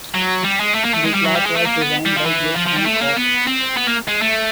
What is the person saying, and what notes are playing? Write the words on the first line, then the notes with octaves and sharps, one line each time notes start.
The class was designed by Gibbs and Cox.
F#3
G3
G#3
A3
A#3
A3
G#3
G3
F#3
G3
G#3
A3
A#3
B3
G3
F3
E3
F3
F3
G3
A3
A#3
B3
C4
B3
A#3
G#3
A3